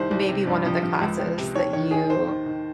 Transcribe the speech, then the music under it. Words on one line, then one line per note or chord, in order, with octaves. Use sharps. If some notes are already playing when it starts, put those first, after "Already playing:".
maybe one of the classes that you
Already playing: C2 D#3 C5
C2
C3
G2
F3
F3
C#2
C#2
C3
D#2 C#5
D#3 C#5
D#3 G#4
D#2 C5
D#3
D#3